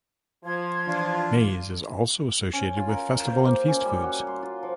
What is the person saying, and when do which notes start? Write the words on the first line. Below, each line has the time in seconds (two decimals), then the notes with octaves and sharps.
Maize is also associated with festival and feast foods.
0.44 F3 C6 G#6
0.87 E3 D4 F4
2.53 C#4
2.77 F4
2.89 A#4
3.09 F5
3.27 C5
3.46 A#3
3.68 C#4
3.85 G3
4.03 F#4
4.27 C6
4.43 F4
4.63 F3